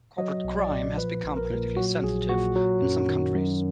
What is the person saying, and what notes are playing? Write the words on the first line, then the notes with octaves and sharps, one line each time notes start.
Corporate crime has become politically sensitive in some countries.
F#3 D#5
B1
D5
A#2
F3 B4
A#1
A#4
A#2
F#3 F#4
A#1 G#4
A#2 F#4
F#3
F#2
D#3
F#2